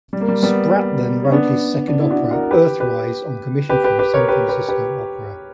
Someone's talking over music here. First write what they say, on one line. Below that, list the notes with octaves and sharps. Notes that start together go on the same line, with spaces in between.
Spratlan wrote his second opera, "Earthrise", on commission from San Francisco Opera.
G3
A#3
G3
G3 B3
C#4
B3 D4
D4
E4
D4 F#4
F#4 A#4
A#4
G4 B4
G4 B4
G4 B4
G4 B4
G4 B4
A#4 C#5
G4 B4
G4 B4
G4 B4